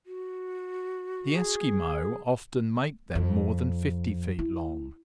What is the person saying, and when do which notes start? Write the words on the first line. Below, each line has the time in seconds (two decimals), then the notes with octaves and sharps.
The Esquimaux often make them more than fifty feet long.
0.06 F#4
1.35 G#4
3.15 F2
4.39 E4